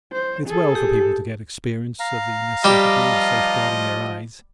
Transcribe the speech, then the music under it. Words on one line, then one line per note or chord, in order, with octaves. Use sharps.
It's well for people to get experience of the necessity of safeguarding their eyes.
C5
G#4 A4
G4
F5 A#5
F3 G3 F4 G4 D#5